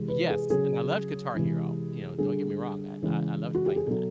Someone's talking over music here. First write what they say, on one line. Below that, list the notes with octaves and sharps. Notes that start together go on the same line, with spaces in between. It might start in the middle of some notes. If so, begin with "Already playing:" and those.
Yes, and I loved Guitar Hero, you know, don't get me wrong, I I I loved playing that,
Already playing: C3 E3 G#3
B4
G#4
C#3 F#3 G#4
C3 E3 G#3
D3 G3 G#4
C#3 E3 G#3
F#4
G4
G#4
B2 F#3 A4